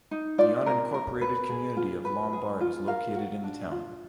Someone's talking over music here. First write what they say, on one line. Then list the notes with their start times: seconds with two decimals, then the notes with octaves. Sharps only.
The unincorporated community of Lombard is located in the town.
0.11 D#4
0.38 F4 D5
0.66 A#4
0.94 A#4
1.21 B4
1.50 G#4
1.77 F4
2.05 B4
2.33 G#4
2.61 F4
2.87 A#4 F5
3.16 F#4
3.44 D4
3.71 F4